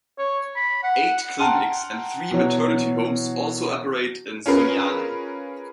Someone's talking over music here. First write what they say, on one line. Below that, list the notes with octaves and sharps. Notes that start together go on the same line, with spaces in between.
Eight clinics and three maternity homes also operate in Sunyani.
C#5
B5
F#5
F#5 G5 A5 A#5 C6 F6
B2 E3 F#3
C#4 F4 G#4 A#4 B4